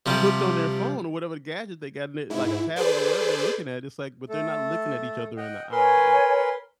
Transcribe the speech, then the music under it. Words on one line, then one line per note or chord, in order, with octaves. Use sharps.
hooked on their phone or whatever gadget they got, l like a tablet or whatever they're looking at, it's like but they're not looking at each other in the eye and,
C3 F3 G3
G#2 E4
G#4 A4 B4 C5 D5
A3 A4
D#5 F#5 G5
A#4 B4 C#5 G#5 C6